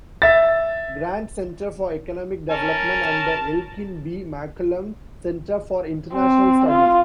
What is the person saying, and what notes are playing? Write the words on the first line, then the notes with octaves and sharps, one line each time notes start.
Grant Center for Economic Development and the Elkin B. McCallum Center for International Studies.
E5 A6
C#4 A#4 A5
C4
F4